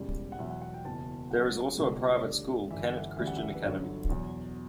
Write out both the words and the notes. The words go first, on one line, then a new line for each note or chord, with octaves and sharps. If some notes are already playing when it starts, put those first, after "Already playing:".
There is also a private school, Kennett Christian Academy.
Already playing: E1 E2 C#3 G3
F#5
E2 B2 F#3 E5
F#5
F#5
G5
F#1 E2 B2 A5
C#2 C#3 F#3 F#5
C#2 B2 G3
C#5
D2 D3 G3 D5
G1 G2 E3 G3 E5
F#5
E5
D2 C#3 E3 G3 E5
F#5
E5
B4
G1 G2 D3 F#3 C#5
E2 B2 F#3